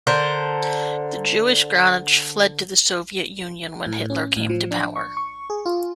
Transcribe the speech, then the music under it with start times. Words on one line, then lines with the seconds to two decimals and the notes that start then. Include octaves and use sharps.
The Jewish Granach fled to the Soviet Union when Hitler came to power.
0.07 D3 A#4 C5
3.86 A2
4.10 C#4
4.36 A2
4.50 F3
4.71 D4
4.96 C#6
5.17 C#6
5.50 G#4
5.66 F4